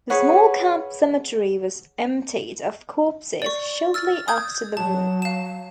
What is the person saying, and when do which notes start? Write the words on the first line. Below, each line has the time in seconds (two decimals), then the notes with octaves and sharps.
The small camp cemetery was emptied of corpses shortly after the war.
0.10 G#4 B4 C#5 F#5
3.42 D5 C#6
3.94 E6 F6 A6
4.28 D#6 G6 G#6
4.77 F#3 A5
5.22 F5 E7